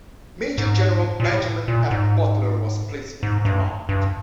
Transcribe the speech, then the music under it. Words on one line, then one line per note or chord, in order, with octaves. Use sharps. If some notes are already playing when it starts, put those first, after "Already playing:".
Major General Benjamin F. Butler was placed in command.
G#2
A#2
A2
A#2
G#2
G#2
G2
G2